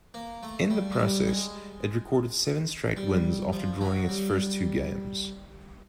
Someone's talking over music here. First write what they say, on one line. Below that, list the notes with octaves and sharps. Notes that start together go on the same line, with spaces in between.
In the process, it recorded seven-straight wins after drawing its first two games.
A#3
A3
G3
G#3
G3
G#3
G3
F3
F#3
G3